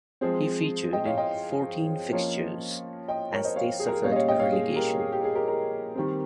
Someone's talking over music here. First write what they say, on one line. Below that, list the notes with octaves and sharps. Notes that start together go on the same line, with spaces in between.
He featured in fourteen fixtures as they suffered relegation.
F3 G#3 C4 G#4 C5
D#5 G5
C#5 F5
D#5 G5
F3 A#3 C#4 C#5 F5
D#5 G5
A#4 C#5
C5 D#5
C#5 F5
G#4
A#4
G#4
A#2 G3 C#4 C#5 F5
D#5
C#5 F5
D#5 G5
C#5 F5
G#4
G4 A#4
G#4
G4
G#4
G4 A#4
G4 A#4
D#3 G3 C4